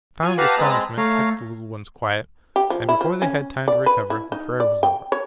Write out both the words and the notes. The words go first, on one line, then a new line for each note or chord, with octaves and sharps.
Profound astonishment kept the little ones quiet, and before they had time to recover the prayer was over.
F4 G#5
G4 B4 F5 F#5 A5 A#5
G#3 C4 G#4
A3 C#5 F5 A#5
G4
F3
E4
F3
C#4
D5
B4
E4
D#4
D5
G5
C#5